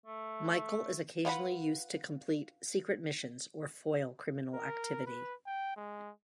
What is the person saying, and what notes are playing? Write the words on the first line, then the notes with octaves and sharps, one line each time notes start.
Michael is occasionally used to complete secret missions or foil criminal activity.
A3
F4 B4 F#5 B5
A#4
B4
G5
G#3